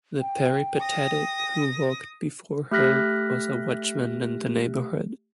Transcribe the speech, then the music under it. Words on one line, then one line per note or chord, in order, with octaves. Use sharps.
The peripatetic who walked before her was a watchman in the neighbourhood.
G5
D#6 A#6
A3 G4 F6 F#6 A#6 B6